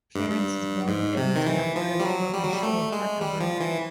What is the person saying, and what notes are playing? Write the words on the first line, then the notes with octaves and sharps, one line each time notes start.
Ference was born in Edmonton, Alberta, but grew up in Sherwood Park, Alberta.
G2
G2
G#2
C3
D#3
E3
F3
G3
F#3
G3
F#3
G3
A3
G#3
G3
F3
E3